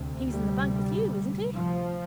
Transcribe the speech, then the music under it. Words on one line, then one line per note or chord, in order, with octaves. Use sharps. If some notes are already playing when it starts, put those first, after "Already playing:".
He's in the bank with you, isn't he?'
Already playing: D2 C3
G3
F3